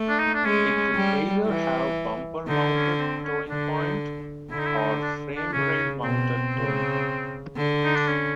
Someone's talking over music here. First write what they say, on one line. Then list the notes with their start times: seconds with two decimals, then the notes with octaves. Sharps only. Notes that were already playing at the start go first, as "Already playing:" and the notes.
It could either have bumper mounted towing point or frame rail mounted towing point.
Already playing: A3
0.09 D4
0.19 D#4
0.34 D4
0.44 G#3 C#4
0.95 G3
1.46 E3
2.48 D3 D#4
2.73 C#4
2.99 C4
3.24 C#4
3.49 D3 D4
3.75 D#4
4.51 D3 E4
4.59 D#4
4.66 E4
4.77 D#4
5.02 D4
5.36 D4
5.53 C#3 C#4
6.04 B2 C4
6.54 C#3
7.56 D3
7.84 D#4
7.95 D4
8.07 C#4